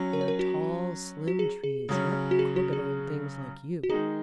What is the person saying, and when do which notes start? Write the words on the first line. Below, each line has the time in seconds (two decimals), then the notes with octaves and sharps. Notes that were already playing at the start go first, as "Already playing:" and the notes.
They are tall, slim Trees, not crooked old things like you.
Already playing: F#3 C#4
0.13 A#4
0.21 C#5
0.28 A#4
0.39 F#4
1.28 F#4
1.39 G#4
1.64 G#4
1.89 C#3 F#3 C#4
2.31 F#4
2.39 G#4
2.56 F#4
2.73 G#4
3.83 F#4
3.90 D#3 G#3 D#4 G#4